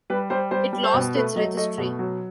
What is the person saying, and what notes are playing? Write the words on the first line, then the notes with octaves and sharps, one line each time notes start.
It lost its registry.
G3 B4
G3 C5
G3 C5
G3
C5
B2
A3 B4
F#3 D#5
A3 D#5
B2
F#3